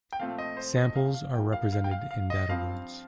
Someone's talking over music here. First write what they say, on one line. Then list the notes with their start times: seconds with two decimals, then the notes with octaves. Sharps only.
Samples are represented in data words.
0.13 G5
0.20 A#2 F3 A3 C4 F5
0.38 D#5
0.57 C5
0.76 D#5
0.96 F5
1.14 F5
1.34 G2 F3 A#3 G5
1.53 F5
1.73 F5
1.84 G5
1.91 F5
2.11 F5
2.30 D#5
2.49 G2 F3 C4 F5